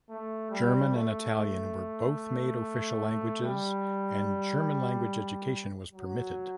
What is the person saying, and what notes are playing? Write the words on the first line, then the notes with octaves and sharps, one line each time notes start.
German and Italian were both made official languages, and German-language education was permitted.
A3
G3
A3
G3
F#3